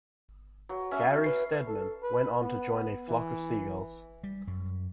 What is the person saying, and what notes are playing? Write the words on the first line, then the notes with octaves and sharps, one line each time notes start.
Gary Steadman went on to join A Flock of Seagulls.
F#3
C#4 E5
B4 C7
A4
B4
B3
E3
G3
F#2